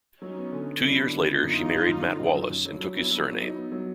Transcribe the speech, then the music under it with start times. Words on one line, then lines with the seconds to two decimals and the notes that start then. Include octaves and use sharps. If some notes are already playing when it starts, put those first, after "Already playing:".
Two years later she married Matt Wallace and took his surname.
0.21 F#3 C#4 D#4
0.37 B3
0.52 D3
0.67 B3
0.83 F#3 D4 E4
0.98 D3
1.13 D3
1.28 B3
1.43 F#2 D#4 F4
1.59 F#3
1.74 F#2
1.89 F#2
2.05 D3
2.20 F#2
2.35 F#3
2.50 F#2
2.65 F#3 D4 E4
2.80 F#3
2.95 B3
3.11 F#3
3.26 F#3
3.41 D#4
3.56 B3
3.72 F#3